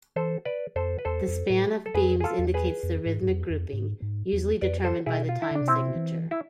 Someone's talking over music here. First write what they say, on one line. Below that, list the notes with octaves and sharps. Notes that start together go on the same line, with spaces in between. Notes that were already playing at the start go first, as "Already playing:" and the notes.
The span of beams indicates the rhythmic grouping, usually determined by the time signature.
E3 A4 C5
B4 D5
F2 A4 C5
B4
E2 A4 C5
F2
A2
A4
F2 G#4 B4
G#4
F4 A4
E2
G#4 B4
F2
G#2
G#2
F2
F2
G#2
G#2
E2
F2 B4 D5
A4 C5
B2 E4 G#4
F4
E4
D3 D4
C3
B2 C4 E4
C3
E3
E4